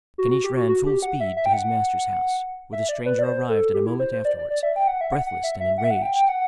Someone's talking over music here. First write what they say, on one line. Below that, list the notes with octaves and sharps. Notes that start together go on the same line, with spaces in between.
Caniche ran full speed to his master's house, where the stranger arrived a moment afterwards, breathless and enraged.
F#4
F#4
G4
F#4
F#4
G4
F#5
E5
E5
G5
F#5
E5
D5
B4
D5
C5
A4
G4
E4
C5
C5
D5
D5
D5
E5
G5
F#5
E5
F#5
F#5
E5
E5
F#5
E5
F#5
G5
G5
F#5